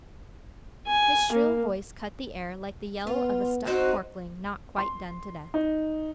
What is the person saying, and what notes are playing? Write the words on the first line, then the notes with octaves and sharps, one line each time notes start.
His shrill voice cut the air like the yell of a stuck porkling not quite done to death.
G#5
A#3
B3 F4
C4 D#4 F#4 C5
C6
D#4